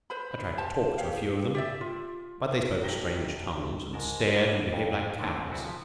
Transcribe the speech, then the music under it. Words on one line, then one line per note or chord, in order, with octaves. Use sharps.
I tried to talk to a few of them, but they spoke strange tongues, and stared and behaved like cows.
B4 C5 B5
G4 C5 A5
G4 C#5 F5
G4 D5 E5
F4
B1 F#2 F#4 G4 A#6 G7
G#2 G#3 A#4 A5
G3 A#3 A4
F2
D3 D#3 A3 A#3 C4
C#3 F#3 C4 E4 F#4 D5
F3